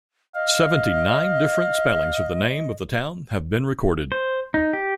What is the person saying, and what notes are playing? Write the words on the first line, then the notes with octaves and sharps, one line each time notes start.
Seventy-nine different spellings of the name of the town have been recorded.
D#5 F5
C5
D#4
G4